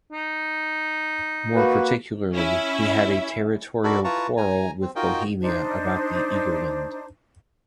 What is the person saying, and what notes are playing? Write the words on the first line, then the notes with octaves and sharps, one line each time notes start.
More particularly, he had a territorial quarrel with Bohemia about the Egerland.
D#4
A#3 F#4 B4
C#4 E4 E5
D4 F#4 A4 A#4 B5
E4 F4 B4 A5 A#5 C#6
G#5 A#5
C4
D#4 F4 F#4 A#4 D#5 G5
D4 D#4 C5